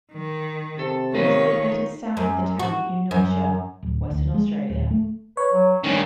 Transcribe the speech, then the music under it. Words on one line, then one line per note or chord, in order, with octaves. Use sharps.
It is located south of the town of New Norcia, Western Australia.
D#3
C3 A4
D#3 D#4 F4 B4 C#5
F#2
F#4
F#2
D1
D2
G#3
D1
A3
B4 C#5
F#3
G2 D#3 C#4